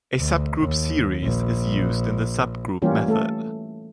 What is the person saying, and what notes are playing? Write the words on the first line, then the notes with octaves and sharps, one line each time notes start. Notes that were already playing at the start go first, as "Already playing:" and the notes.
A subgroup series is used in the subgroup method.
D2
D#2
A#1
E3 G3 A#3 C#4 F4 G4
A3 A4